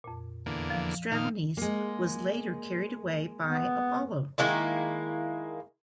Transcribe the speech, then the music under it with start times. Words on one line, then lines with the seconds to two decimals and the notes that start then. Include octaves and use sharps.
Stratonice was later carried away by Apollo.
0.04 F2 A#2
0.46 E2 D3 A#3
0.70 F3
1.11 A#2 D#3 D#4 F5 A5 D#6
1.57 G#3 A#3
3.44 B3
4.38 D#3 G#3 A#3 E4